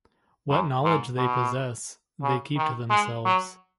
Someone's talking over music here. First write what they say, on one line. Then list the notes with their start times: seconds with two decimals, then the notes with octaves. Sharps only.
What knowledge they possess they keep to themselves.
0.50 F#2
0.84 G#2
1.18 B2
2.22 C#3
2.57 D#3
2.90 G#3
3.25 F#3